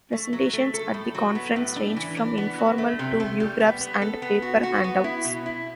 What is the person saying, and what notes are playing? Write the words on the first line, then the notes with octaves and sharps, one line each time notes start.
Presentations at the conference range from informal to viewgraphs and paper handouts.
A3
F#3
A3
A4
A2
F#3
B3
A2
D4
E3
D4
B3
F#3
A3
C3
A3
G3
B3
B3
A4
B3
F#4
F#4
B3
E4
B2
E4